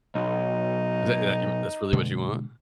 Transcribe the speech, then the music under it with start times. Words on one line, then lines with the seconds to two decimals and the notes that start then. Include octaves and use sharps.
Is that that that's really what you want?
0.15 B1 D#4
1.93 B2 D3 G#3